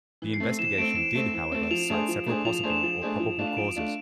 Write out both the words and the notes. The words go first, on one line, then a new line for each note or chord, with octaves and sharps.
The investigation did, however, cite several possible or probable causes.
E3
C7
A3 C4
E3 E7
A3 C4 D7
E3 E7
A3 C4
E3
A3 C4
E7
F3 F7
A3 D4 G#4 C5
F3
A3 D4 G#4 C5
F3 F7
F7
A3 D4 G#4 C5
E7
F3
A3 D4 G#4 C5
F3
A3 D4 F4
E7
F3 D7
A3 D4 F4